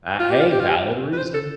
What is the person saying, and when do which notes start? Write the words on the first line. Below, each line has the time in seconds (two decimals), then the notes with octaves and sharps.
Ah Hey, valid reason.
0.19 F4
0.30 G4
0.40 F4
0.52 G4
0.60 F4
0.68 G4
1.13 B4
1.17 C5
1.34 A4